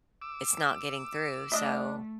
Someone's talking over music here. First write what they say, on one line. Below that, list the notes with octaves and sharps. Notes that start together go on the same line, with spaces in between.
it's not getting through, so
D6 E6
A3 D4 D#5 E5